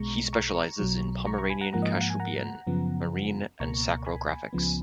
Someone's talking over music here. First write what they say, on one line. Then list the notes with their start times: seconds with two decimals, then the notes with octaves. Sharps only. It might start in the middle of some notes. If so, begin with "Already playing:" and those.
He specializes in Pomeranian-Kashubian, marine and sacral graphics.
Already playing: B1 B2 G#3 A#5 C#6
0.33 A#5 C#6
0.80 B1 B2 F#3
1.26 A#5 C#6
1.38 A#5 C#6
1.50 G#5 B5
1.61 F#5 A#5
1.73 G#2 F3 A#3 F#5 A#5
1.82 D#5
1.92 F5
2.01 F#5
2.10 G#5
2.20 F#5 A#5
2.67 F#2 C#3 F3 B3
3.60 C#2 B2 A#3 A#5 C#6
4.06 G#5 B5
4.53 C#2 C#3 F3 B3